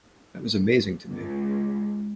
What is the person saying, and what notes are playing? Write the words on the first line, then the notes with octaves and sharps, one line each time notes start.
That was amazing to me.
C#2